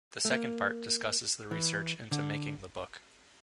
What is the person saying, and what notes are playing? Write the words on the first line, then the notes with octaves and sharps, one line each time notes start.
The second part discusses the research into making the book.
A3
A#3
E3
D3